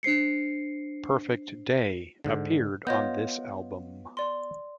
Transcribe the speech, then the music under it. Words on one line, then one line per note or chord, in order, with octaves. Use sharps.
"Perfect Day" appeared on this album.
D4 C5 C7 C#7
G#2 D3
B3 F4 C#5 D#5 G6
D5 C6